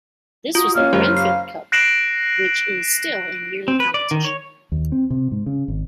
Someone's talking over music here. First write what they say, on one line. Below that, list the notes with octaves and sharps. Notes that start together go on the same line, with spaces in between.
This was the Grenfell Cup which is still in yearly competition.
F4 F#4 D#6
A#3 C#4 F5 F6
F#1 F4 G4 C#5
C7
F#6 A#6 C7 D7 E7 F#7
C4
B4
D5
D#3
C#5
D#2
C4
C3
G#2
C#3
G#1